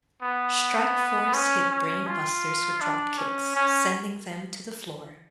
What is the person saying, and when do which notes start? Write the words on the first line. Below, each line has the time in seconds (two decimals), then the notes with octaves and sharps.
Strike Force hit Brain Busters with dropkicks, sending them to the floor.
0.22 B3
1.34 C#4
1.70 C#4
2.07 F4
2.81 D4
3.18 C#4
3.55 C#4